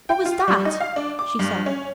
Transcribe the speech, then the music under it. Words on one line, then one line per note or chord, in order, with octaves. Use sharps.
"What was that?" she said.
G5
F4
G3
D#4
F5
D4
D6
G2
C#4